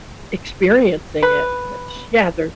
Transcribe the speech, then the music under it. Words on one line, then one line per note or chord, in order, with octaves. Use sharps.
experiencing it, and it's yeah, there's
B4